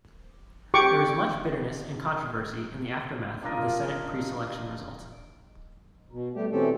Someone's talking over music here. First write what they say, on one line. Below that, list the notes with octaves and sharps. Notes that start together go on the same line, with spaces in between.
There was much bitterness and controversy in the aftermath of the Senate preselection result.
G4 C#6 D6
D4 F4 A#4 D#5
B2
G3 A3 G4
B2 E3 C4 C#4 G4 A4